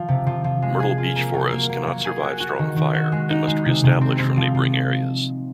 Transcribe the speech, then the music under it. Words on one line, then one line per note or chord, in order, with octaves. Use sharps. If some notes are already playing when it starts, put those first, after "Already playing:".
Myrtle beech forests cannot survive strong fire, and must re-establish from neighbouring areas.
Already playing: F3
C3
F3
F3
G#3
G#4
F4
A#3
F#3
A#3
A#3
F#3
G#4
F#4
F#4
D#3
D#3
F#4
G#3
D#4
G#3
C3
C3
C4
C4
F3
F3